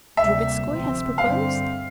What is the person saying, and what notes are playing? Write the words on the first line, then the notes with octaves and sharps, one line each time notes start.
"Drubetskoy has proposed?"
D2 C3 G3 A#3 E5
D2 C3 F3 C4
G2 D3 G3 C4 F5